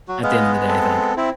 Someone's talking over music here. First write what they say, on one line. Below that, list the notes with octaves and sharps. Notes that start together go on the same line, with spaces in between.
at the end of the day, I think.
F#3 F#4
G#3 B3 D#5 F5
C4 A4
C4 E4